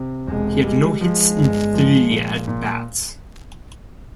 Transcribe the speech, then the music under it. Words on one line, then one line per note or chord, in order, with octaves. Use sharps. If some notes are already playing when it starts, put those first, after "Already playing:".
He had no hits in three at bats.
Already playing: C3
E1 G#3
G3 G#3
F3 G#3
G1
F3
A#2
A#2